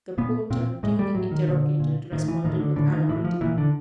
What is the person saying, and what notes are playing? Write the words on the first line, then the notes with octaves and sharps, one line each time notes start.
The porter, duly interrogated, responded with alacrity.
A#2 B3
A#2 C4
A2 G#3
G3
A2 F#3
D#3
A#2 D3
A#2
A2 D#3
E3
A2 D#3
D3
A2 D3
D#3
A2 E3
F3
A#2 E3
D3